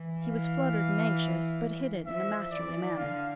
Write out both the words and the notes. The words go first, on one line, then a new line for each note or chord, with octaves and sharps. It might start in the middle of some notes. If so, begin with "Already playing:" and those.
He was fluttered and anxious, but hid it in a masterly manner.
Already playing: E3
F5
F3 E5
E3 D5
D3 F5